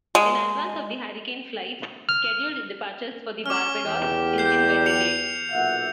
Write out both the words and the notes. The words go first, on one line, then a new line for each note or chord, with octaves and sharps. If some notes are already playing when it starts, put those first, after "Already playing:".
In advance of the hurricane, flights' scheduled departures for the Barbados region were delayed.
G#3
F6
C#4 D6 F6
E2 G4
G6 C7
C#7 F7
B1 A#2 E5 F#5